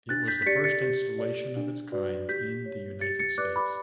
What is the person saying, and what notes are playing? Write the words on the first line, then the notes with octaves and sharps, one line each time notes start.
It was the first installation of its kind in the United States.
D4 F#6 A6
G6 B6
B6
G4 D5 A6 C#7
A6 C#7
G4
D5
D4
F#4 B4 D5
G4 G6 B6
C#5
G4 A6 C#7
A6 C#7
B4 D5 D6 F#6
B5 D6